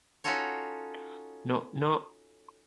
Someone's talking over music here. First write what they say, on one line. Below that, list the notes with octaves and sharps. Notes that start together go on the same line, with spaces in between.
Knock, knock.
C#4 D#4 F4 F#4 A4 C#5